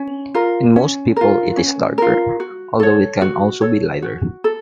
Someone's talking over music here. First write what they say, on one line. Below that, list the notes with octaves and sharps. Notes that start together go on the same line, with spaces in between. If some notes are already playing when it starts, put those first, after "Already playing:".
In most people it is darker, although it can also be lighter.
Already playing: C#4
F4 A#4
C#4
F4 A#4
C#4
F4 A#4
F#4
A4 C#5
F#4
A4 C#5
F#4
A4